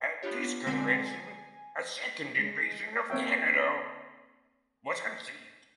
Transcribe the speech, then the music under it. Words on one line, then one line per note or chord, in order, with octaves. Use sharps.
At this convention a second invasion of Canada was conceived.
B3 D4 F4 G4 C#5
B1 D3 G#3 C4 G5 G#5
G#5
G#3
A#3 C4 C#5 E5 G5